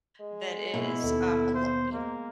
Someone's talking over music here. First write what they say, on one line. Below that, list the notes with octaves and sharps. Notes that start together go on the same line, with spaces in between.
that is, um, a lo y kn
G#3
B2 A#3 E4
D#2 A4
A#3 C5
G#3 A#3